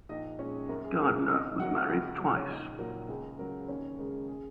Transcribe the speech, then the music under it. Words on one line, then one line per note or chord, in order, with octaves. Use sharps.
Gardiner was married twice.
A#1 D#4 D#5
A#2 G#3 C#4 C#5
F#2 A#4
G#4
C#3 G#3 A#4
G#1 D#4 D#5
F#2 F#3 F#4 F#5
C#2 F#4 F#5
C#3 F#3
C#5
A#1 D#4 D#5
A#2 F#3 A#4
C#2 G#4
C#3 F#3 A#4
D#2 C#4 C#5
C#3 G#3 A#4
G#4